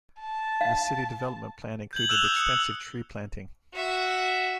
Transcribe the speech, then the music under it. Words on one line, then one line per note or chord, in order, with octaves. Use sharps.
The city development plan included extensive tree planting.
A5
F5
G6 G#6 F#7
E6 F#6 E7 F7 G7
D#6 G6
C#7
F#4 E5